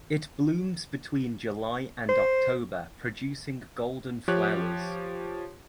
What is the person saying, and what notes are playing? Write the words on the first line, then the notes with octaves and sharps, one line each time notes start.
It blooms between July and October producing golden flowers.
C5
F3 G4 C#5 F#6